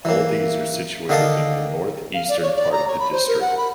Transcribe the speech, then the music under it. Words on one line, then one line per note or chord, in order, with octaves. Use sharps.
All these are situated in the north eastern part of the district.
E3 A#3
D3 D#3 D#5 F5 A5 D#6
F5
D5
C#5
D5
A#5
C#5
B5
C5
A#4
F#5
B5